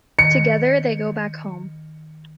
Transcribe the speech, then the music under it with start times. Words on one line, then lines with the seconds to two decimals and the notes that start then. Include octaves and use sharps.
Together, they go back home.
0.19 D#3 C#7